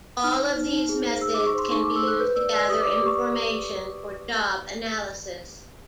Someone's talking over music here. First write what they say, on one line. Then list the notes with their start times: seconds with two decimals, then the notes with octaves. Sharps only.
All of these methods can be used to gather information for job analysis.
0.24 D#4 F6
0.39 C5
0.56 D#4
0.73 D#4
0.89 G#4
1.05 C5
1.21 G#4 E6
1.34 G#4 D6
1.46 C#6
1.55 C5 C6
1.71 D#4 C#6
1.83 D6
1.88 D#4
1.96 E6
2.03 C5 F#6
2.19 B4 G6
2.36 D5 E6
2.53 D5 E6
2.69 G4 D#6
2.81 D6
2.86 D5
2.93 D6
3.02 G4 C#6
3.18 D5